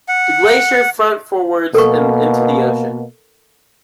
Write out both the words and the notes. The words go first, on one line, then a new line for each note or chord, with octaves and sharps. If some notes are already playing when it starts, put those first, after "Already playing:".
The glacier front forwards and into the ocean.
F#5
B2 A#3 A4 A#4 C#6